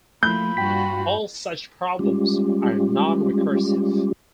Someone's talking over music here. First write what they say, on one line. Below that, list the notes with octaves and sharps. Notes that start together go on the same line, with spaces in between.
All such problems are nonrecursive.
F3 A3 A#3 E4 B5 G6
G2 F4 F#4 G5 B6
G3 G#3 C#4 F4 G4